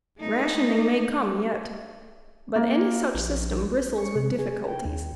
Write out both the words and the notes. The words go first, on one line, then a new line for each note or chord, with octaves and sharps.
Rationing may come yet, but any such system bristles with difficulties.
A3 D#4
A#3
A#1
C#6
C3
G#4
G5
D#2